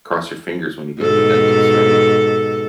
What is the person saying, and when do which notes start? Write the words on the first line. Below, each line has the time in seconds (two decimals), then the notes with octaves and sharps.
cross your fingers when you go to the dentist, right?
1.00 G#2 B2 A4